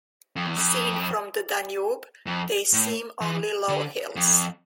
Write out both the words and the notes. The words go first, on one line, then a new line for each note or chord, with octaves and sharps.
Seen from the Danube, they seem only low hills.
F2
E2
F2
F2
A2
E3
D3
F2